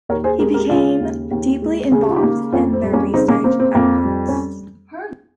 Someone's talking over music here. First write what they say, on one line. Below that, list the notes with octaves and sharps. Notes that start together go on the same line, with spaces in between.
He became "deeply involved" in their research efforts.
D#2 A#4 C#5
G#4 C5
G#3 G4 A#4
G4 A#4
C#3 F4 G#4
D#2
D#2
G#3
C#3 G#4
G4
F4
D#4 G4
A#3
F2 C#4 F4
C4
G3
A#3 C#4
C#3 C4 D#4
A#3 C#4
A#3 C4
C4
F2 A#3
G3
C#4